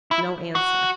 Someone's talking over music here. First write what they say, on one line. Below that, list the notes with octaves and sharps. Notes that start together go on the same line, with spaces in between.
No answer.
E4
F#4